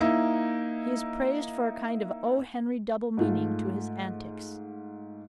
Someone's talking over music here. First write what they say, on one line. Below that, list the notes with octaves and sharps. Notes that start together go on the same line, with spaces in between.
He is praised for a kind of O. Henry double meaning to his antics.
A#3 D#4 E4
G#2 A3 F4